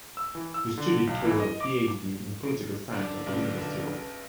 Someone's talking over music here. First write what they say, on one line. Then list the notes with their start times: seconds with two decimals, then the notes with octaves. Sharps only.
He studied toward a Ph.D. in political science at the University of Iowa.
0.17 E6
0.35 E3
0.54 E6
0.78 D3
1.07 B1
1.25 E3
1.40 D#5
1.61 D6
2.94 D3 D5
3.26 B1 C#3 B4